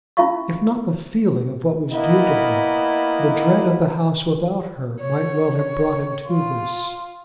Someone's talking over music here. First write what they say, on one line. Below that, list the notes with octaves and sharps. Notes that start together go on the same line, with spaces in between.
If not the feeling of what was due to her, the dread of the house without her might well have brought him to this.
C#4 E4 F4 E5 F5 C#6
A#3 B3 E4 D#5
C#5
C#5
F4